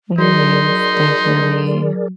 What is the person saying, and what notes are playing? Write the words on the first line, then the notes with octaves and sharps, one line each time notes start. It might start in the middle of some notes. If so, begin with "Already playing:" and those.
Yes, definitely,
F#3 D#4 G#4 A#4 D5 C6